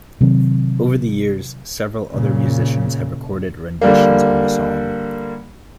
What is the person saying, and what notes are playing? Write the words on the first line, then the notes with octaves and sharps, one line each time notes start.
Over the years, several other musicians have recorded renditions of the song.
C3 D#3 F#3 C4
A#2 C#3
D3 G3 A#3